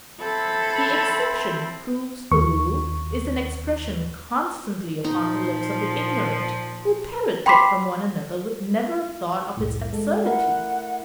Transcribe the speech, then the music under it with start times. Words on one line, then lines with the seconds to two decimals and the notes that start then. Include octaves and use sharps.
"The exception proves the rule" is an expression constantly upon the lips of the ignorant, who parrot it from one another with never a thought of its absurdity.
0.20 C4 E4 A4 B5
2.31 D#2 C#6
5.04 A#2 F3 D#4
7.46 G5 B5 C6 D6 B6 C7
9.57 C2 F2 A2
9.93 G#3 A4
10.25 A3 E4 A#4 F#5